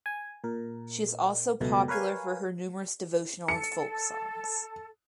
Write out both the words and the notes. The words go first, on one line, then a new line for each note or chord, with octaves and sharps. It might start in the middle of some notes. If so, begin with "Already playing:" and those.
She is also popular for her numerous devotional and folk songs.
G#5
A#2 A#4
C#2 F#2 B2 A3
A#4 B4 C#5 F5 G#5
A4 C#7